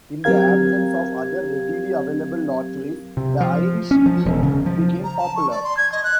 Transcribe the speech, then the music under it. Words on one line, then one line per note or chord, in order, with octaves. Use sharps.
In the absence of other readily available lotteries, the Irish Sweeps became popular.
F#3 C4 G4 A#4 F5 G#6
C3
F3
C#4
F3
E1
C#3
F3
A#5
A5
C#6
D5
C6
G#6
D#5
F#6